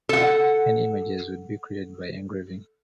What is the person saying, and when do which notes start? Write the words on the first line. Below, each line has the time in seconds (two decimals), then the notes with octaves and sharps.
Any images would be created by engraving.
0.09 A4 F#5